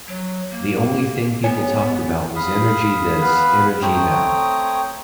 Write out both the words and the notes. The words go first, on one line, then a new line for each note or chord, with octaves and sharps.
The only thing people talked about was energy this, energy that.
F#3
A#3
B3 C#5 G#5
F5 B5 D#6
B3 B4 F5 B5
A3 C4 C#5 G5 A#5 D#6